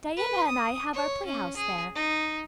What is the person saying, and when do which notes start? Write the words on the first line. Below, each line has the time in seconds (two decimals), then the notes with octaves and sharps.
Diana and I have our playhouse there.
0.17 B4
0.47 D#6
0.94 C#5
1.26 C#4
1.57 G#4
1.95 D#4